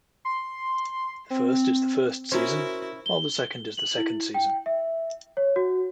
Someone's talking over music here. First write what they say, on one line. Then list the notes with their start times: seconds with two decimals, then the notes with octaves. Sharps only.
The first is the first season, while the second is the second season.
0.25 C6
1.30 C4
2.32 C#4 E4 F#4 A#4 C5
3.06 G7
3.77 F#7
3.97 E4
4.34 G5
4.66 E5
5.37 C#5
5.56 F#4